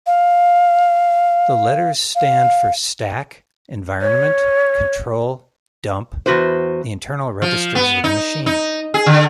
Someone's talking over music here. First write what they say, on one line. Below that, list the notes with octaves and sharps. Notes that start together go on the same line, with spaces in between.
The letters stand for Stack, Environment, Control, Dump, the internal registers of the machine.
F5
F5
C#5
E2 G3 F#4 B4 C5
F3
B3
D#4
D#4
G#4
D3